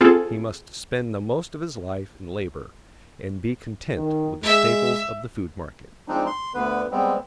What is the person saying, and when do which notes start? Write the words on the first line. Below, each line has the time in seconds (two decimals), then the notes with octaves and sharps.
He must spend the most of his life in labor and be content with the staples of the food-market.
0.01 C4 F4 G#4 A4
3.96 D#3
4.43 G#3 E5
6.08 F3 G#3 C4 D4 D#4
6.27 C6
6.54 D2 D3 B3 B4
6.91 G3 G#3 B3 C4